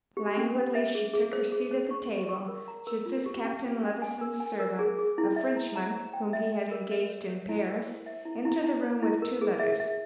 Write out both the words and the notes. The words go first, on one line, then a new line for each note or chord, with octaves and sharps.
Languidly she took her seat at the table, just as Captain Levison's servant, a Frenchman whom he had engaged in Paris, entered the room with two letters.
G4
C#4
C#4
E5
G#4
G#4
C5
G#4
C5
C#6
C5
C#6
A#4
A#5
A#4
F4
G4
C#4
C#4
C#4
G#5
A#4
G#5
A#4
G#4
G#4
E4
E5
A#5
A#5
C5
G5
E5
E5
A#4
E5
C#5
C#5
E4
A#4
C5
E5
E4
E4
E4
C#5
E4
A#4
G#4
E5
E5